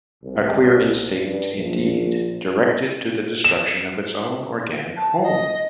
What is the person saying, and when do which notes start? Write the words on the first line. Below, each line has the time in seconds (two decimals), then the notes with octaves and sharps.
A queer instinct, indeed, directed to the destruction of its own organic home!'.
0.22 C2
1.23 G2
1.54 A#1
3.44 E7
4.97 A5
5.23 D#5